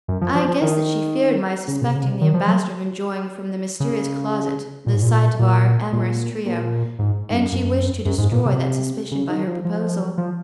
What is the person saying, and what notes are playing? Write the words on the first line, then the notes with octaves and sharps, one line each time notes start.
I guessed that she feared my suspecting the ambassador of enjoying from the mysterious closet the sight of our amorous trio, and she wished to destroy that suspicion by her proposal.
F#2
F3
F3
F3
D#3
C#3
A#2
C3
C#3
C3
D#3
F3
F#3
C#3
A#2
G#2
A#2
A#2
A#2
A#2
G#2
G#2
F#2
F#2
F#2
G#2
A#2
C3
C#3
D#3
F3
F3
F3